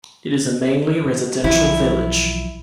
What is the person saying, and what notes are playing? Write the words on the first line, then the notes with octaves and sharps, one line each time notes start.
It is a mainly residential village.
B1 E3 F3 E4